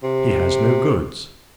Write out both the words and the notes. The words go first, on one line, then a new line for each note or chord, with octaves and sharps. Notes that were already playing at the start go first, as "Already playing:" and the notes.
He has no goods.
C3